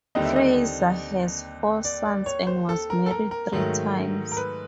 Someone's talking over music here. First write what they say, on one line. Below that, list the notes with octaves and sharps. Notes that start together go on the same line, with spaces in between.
Frazier has four sons and was married three times.
D#2 D3 G3 C4 D#4 D#5
E5
D#5
D5
D5
C#5
C5
A4
A#4
A4
A#4
A#4
G#2 D#3 F#3 A3
A#4
B4